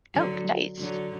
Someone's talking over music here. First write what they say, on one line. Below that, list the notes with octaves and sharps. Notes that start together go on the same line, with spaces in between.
Oh, nice.
D3 F#3
D3 F#3